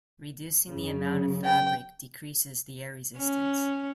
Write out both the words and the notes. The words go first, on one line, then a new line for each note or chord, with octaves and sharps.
Reducing the amount of fabric decreases the air resistance.
F#2 C#3
G5
C#4